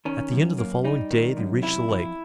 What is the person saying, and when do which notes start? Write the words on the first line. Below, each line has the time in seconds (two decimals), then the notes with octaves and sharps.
At the end of the following day they reached the lake.
0.05 D#3 C#4
0.32 F#2
0.58 A#3
0.84 G3 D#4
1.11 D#3
1.37 F#2
1.62 C3 E4
1.88 F2